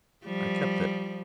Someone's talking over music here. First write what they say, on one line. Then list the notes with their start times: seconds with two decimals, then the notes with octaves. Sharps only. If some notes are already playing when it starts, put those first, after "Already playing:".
"I kept it."
0.25 F3 G3